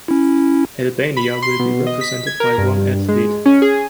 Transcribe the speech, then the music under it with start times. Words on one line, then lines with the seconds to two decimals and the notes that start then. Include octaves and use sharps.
Albania will be represented by one athlete.
0.08 C#4 E4
1.17 B5
1.42 C6
1.59 B2
1.87 D#5
2.01 B6
2.27 G#6
2.40 A#4
2.58 G2
3.09 G#3
3.46 C#4
3.62 G#4